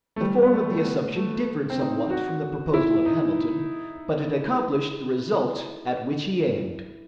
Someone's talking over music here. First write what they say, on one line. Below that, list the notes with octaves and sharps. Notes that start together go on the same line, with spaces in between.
The form of the assumption differed somewhat from the proposal of Hamilton, but it accomplished the result at which he aimed.
A3
G3
B3
A3
A3
B3
A3
C4
D#4
F#4
E4
D#4